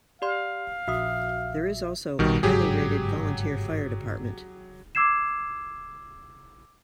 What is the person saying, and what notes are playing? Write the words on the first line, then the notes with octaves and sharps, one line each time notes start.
There is also a highly rated volunteer fire department.
G4 D5 F5 C6
A#1 F#4 E5 D#6
A#1 B2 D#3 G3
G1 G#2 C#3 F#3 G4 G#4
D6 E6 G#6 C7 E7